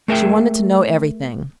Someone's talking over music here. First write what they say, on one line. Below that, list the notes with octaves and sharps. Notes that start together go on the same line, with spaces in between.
She wanted to know everything.
A3 G#4 A#4 E5 F#5 G5